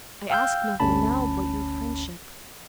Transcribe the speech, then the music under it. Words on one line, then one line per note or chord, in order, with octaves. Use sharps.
I ask nothing now but your friendship.
F5 G5 E6 F6 G6
G1 D2 C#4 A5 B5